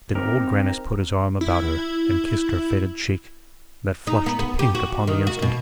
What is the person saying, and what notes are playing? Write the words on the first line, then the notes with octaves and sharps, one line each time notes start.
Then Old Grannis put his arm about her, and kissed her faded cheek, that flushed to pink upon the instant.
C4 D#4 G4 A#4
E4
D#4
B3
B3
G4
F#4
D#3
F#4
B2